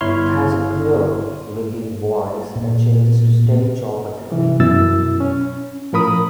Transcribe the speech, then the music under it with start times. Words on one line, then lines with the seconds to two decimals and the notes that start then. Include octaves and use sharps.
It has a clear, ringing voice that changes to steady chop at the tree.
0.01 G1 E4 C#5 C6 F6
2.56 A#2
4.32 C3 E3
4.60 F#2 B2 E4 E6 A6
5.20 C#4
5.93 A2 F3 A#4 B5 D#6